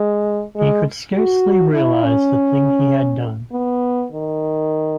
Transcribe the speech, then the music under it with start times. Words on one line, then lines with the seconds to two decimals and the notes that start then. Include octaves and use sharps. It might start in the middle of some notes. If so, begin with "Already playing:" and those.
He could scarcely realise the thing he had done.
Already playing: G#3
0.56 G#3
1.15 F#4
1.74 E4
2.04 C#4
3.52 B3
4.12 D#3